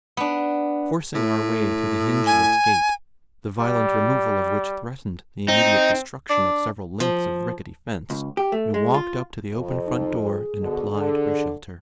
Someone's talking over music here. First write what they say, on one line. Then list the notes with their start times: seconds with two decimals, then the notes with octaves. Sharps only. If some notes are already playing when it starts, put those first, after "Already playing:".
Forcing our way through the hingeless gate, the violent removal of which threatened the immediate destruction of several lengths of rickety fence, we walked up to the open front door and applied for shelter.
0.17 B3 D4
1.15 A2
2.26 G#5
3.59 G3
5.48 C4 D#4
6.30 D4
7.00 F3
8.10 C#2
8.37 G4
8.52 A3
8.74 G#3
8.94 F4
9.53 F2
9.87 D#4
10.23 G#4
10.62 B2 D3
10.92 D3